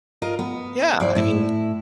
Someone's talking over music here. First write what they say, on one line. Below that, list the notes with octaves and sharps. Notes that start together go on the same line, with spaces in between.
Yeah, I mean
F4 A#4 D#5
B3
E4 C5 D5
A2 E4